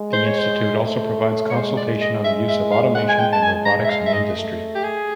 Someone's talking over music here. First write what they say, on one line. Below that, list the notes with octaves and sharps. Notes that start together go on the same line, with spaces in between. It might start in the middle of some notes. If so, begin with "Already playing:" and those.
The institute also provides consultation on the use of automation and robotics in industry.
Already playing: G#3
C5
C#5
C5
A3
C#5
G#3 C5
D5
D#5
E5
E5
F5
G#3 F#5
G#5
G5
A5
G#5
A#5
E5
F5
E5
D#5
A3
G4
G#4